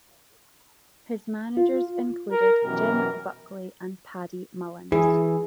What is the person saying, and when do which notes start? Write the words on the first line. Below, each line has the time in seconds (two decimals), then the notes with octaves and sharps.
His managers included Jim Buckley and Paddy Mullins.
1.57 F4
2.32 A#4
2.63 F#2 B2 E3 G4 A#4
4.92 E3 G#4